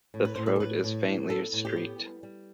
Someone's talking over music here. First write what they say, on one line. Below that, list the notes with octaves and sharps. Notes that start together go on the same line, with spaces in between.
The throat is faintly streaked.
A2
B4
A2 C5
B4
A4
A2 B4
A2
A2
B3 A4
A2
G4
B3
G3
G3